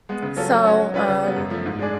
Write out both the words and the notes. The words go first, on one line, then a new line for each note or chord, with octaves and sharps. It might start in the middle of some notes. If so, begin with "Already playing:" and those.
so, um,
G#3 B3
C#3
F#3 C#4 F4 A4
F#3
C#4 F#4 C#5
F#3
C#4 F4 B4 D5
C#3
F#3 B3
F#2
F3 A3
G#2
G#3 D4 G#4 D5